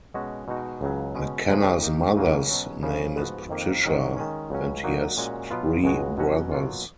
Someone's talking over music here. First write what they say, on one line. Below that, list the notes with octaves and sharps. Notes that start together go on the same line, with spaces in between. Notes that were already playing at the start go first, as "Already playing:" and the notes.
McKenna's mother's name is Patricia, and he has three brothers.
B2 G#3 C#4 F#4
B2 G#3 D#4 F#4
C#2 C#3 F#3
B2 G#3 C#4
F2 C#3 F3 G#3 D#4
D#3 A#3 D#4
C#2 C#3 F#3 A#3
B2 F#3 C#4
C#2 C#3 F3 A#3 C#4
G#2 F3 B3 F#4
F2 D#3 A#3
G#2 D#3 F#3 C#4
D#3 G#3 C#4
C#2 C#3 F#3 C#4
A#2 F#3 A#3 D#4 F#4
A#2 G#3 C#4 F#4
B2 F#3 B3 F4
C#2 B2 G#3 C#4 F#4
B2 F#3 C#4 F#4
B2 F#3 A#3 F4